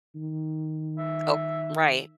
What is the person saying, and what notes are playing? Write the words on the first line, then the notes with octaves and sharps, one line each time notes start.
Oh, right.
D#3
E5